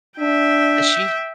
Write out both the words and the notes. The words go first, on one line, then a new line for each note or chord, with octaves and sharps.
And she
D4 E5 G5